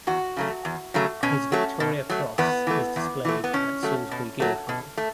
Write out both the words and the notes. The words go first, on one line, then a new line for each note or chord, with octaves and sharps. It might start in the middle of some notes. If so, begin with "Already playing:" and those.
His Victoria Cross is displayed at Salisbury Guild Hall.
E2 F#4
C#3 F#3 A3
E2
C#3 F#3 A3
B2 C#4
F#3 A3
B2
F#3 A3
E2 B3
E3 A3
E2
E3 A3
B3
B2 C#4
F#3 A3
B2
F#3 A3
B2
A3